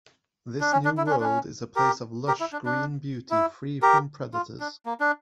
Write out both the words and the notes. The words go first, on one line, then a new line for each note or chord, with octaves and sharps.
This new world is a place of lush green beauty free from predators.
D4
C#4
D4
E4
D4
C#4
D4
C#4
G4 A#4
G4 A#4
E4
D4
D4
E4
G4 A#4
F4
D4
A#3
D4